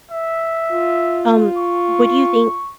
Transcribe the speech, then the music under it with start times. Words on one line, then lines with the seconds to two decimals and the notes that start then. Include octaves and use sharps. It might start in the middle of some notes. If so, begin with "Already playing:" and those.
Um, what do you think,
0.11 E5
0.72 F4
1.57 C#6